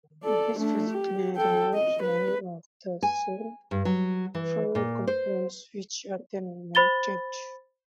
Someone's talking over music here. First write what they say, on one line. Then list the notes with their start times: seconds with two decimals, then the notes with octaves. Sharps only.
This physically removes many of the sulfur compounds, which are then vented.
0.24 A4 D5
0.59 A3 D4
0.90 G4
1.37 A4 G5
1.74 D#5
2.02 B4
3.03 G#5
3.71 G2
3.85 F#3
4.35 E3
4.75 A#2
5.07 C5
6.75 C5 B5 A6 G7